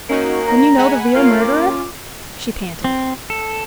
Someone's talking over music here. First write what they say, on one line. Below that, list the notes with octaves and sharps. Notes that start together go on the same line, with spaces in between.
"Then you know the real murderer?" she panted.
A#3 C#4 D#4 F#4
A#5
G#3 F#5 G#5 B5
A#3 C#4 F4 F5
D6
C4
A4